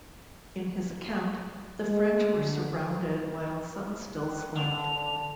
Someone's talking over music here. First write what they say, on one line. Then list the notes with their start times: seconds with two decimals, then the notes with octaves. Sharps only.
In his account, the French were surrounded while some still slept.
1.84 G#3
2.36 D3
4.16 D#3 F#6
4.55 D3 D4 F7